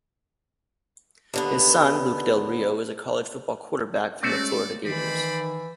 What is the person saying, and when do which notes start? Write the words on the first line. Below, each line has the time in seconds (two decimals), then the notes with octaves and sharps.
His son, Luke Del Rio, is a college football quarterback for the Florida Gators.
1.34 D#2 D3 B3
4.23 G#3 A3 C4 C#4 F#4 A4 D5
4.85 D#3 E3 C5 D5 B5